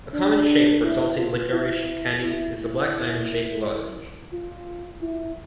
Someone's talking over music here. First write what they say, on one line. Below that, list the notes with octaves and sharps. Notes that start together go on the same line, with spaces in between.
A common shape for salty liquorice candies is a black diamond-shaped lozenge.
D4
E4
F4
E4
E4
E4
F4
E4